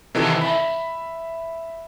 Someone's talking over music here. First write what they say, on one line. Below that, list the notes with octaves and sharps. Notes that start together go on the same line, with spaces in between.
Yeah, and
C3 D#3 E3 D#4 E4 A4
E5 B5